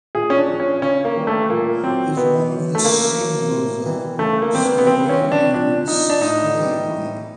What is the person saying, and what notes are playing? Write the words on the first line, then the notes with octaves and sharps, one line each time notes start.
It is one of the symbols of Slovenia and Styria.
A#2 G#4
C#4
D4
F3
C#4
C#3 C#4
A#3
E3 G3
A3
A#2 A#3
F#3 C4
B2 B3
F#3
A3
C#3 A#3
F#3
A2
E3 G3
C#3 A3
A#3
E3 G3 C4
B3
B3
C#3 C4
C#4
E3 G3
D4
A#2 D4
F3 D#4
D4
A2 D#4
E3
G3
A2